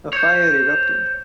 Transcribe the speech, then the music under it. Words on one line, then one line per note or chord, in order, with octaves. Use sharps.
A fire erupted.
C5 C#5